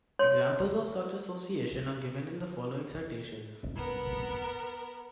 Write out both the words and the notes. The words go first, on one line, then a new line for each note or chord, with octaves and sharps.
Examples of such association are given in the following citations.
C#5 C6
B3 A#4